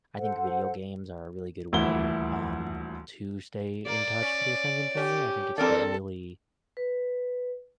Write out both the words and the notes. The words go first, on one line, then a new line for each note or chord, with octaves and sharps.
I think video games are a really good way, um, to stay in touch with your friends and family, I think it's really,
A4 C5 F#5
D#1 D2 E3 E4 G7
A#3 D5
C#4
C#4 G4
E2 A#3 C4 A4 A#4 D5
B4